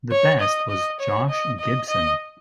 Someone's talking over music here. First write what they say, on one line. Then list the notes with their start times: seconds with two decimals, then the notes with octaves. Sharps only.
The best was Josh Gibson.
0.12 C#5
0.41 D#5
0.70 D#5
1.00 C#5
1.30 D#5
1.59 D#5
1.88 D#5